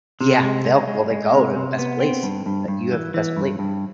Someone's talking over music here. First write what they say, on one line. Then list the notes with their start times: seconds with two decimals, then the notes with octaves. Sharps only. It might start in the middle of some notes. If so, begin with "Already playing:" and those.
Yeah, they'll well, they go to the best place that you have the best place.
0.21 C3
0.43 G#3
0.65 G#3
0.87 G#3
1.10 G#3
1.33 C3
1.56 C3
1.79 B3
2.00 C4
2.23 G2
2.46 G2
2.68 G2
2.92 E3
3.14 E3
3.37 G2
3.59 G2